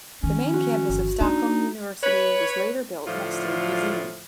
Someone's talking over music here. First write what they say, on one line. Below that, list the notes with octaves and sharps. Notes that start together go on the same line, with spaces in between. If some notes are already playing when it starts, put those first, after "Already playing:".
The main campus of Stockholm University was later built next to the museum.
D#3 F3 C#4
F#4
G1
A#3 D4 D#4
B4 C#5
A2 D3 F3 F4